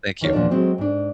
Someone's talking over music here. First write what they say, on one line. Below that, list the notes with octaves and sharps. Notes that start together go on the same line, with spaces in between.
Thank you.
E2 D#3 A3 C#5
E2 A#2 F3 D4
F#3 G#3 A3 C4
G#2 D4